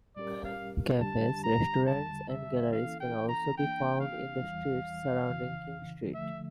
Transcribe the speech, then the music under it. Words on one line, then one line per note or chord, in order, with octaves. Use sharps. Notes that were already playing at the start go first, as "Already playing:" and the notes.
Cafes, restaurants and galleries can also be found in the streets surrounding King Street.
A#2 G3 C#4 G4 A#4 D5
F5
F2 D3 G3 D4 G4 A5
A#5
E2 D3 G3 A5
E5
E3 A#3 C#4 E4 A4 F5
G5
A#5
E3 A#3 D4 G5
F5
E2 E3 G3
F2 C#3 E3
D3 F3 A3 E5